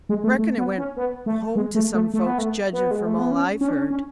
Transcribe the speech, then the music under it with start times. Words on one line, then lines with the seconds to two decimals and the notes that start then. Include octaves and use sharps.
Reckon it went home to some folks, judgin' from all I've heard.
0.09 G#3
0.24 A3
0.39 A3
0.58 B3
0.78 C#4
0.97 B3
1.26 A3
1.56 G#3
1.75 A3
1.94 A3
2.14 A3
2.26 B3
2.38 A3
2.73 B3
2.91 G#3
3.05 A3
3.19 B3
3.31 C#4
3.61 C#4
3.68 D4
3.76 C#4
3.90 C#4